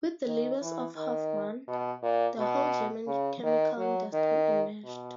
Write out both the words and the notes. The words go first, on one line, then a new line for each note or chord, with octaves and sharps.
With the labours of Hofmann, the whole German chemical industry emerged.
D#3
E3
D#3
B2
A#2
B2
C#3
D#3
F#3
D#3
B2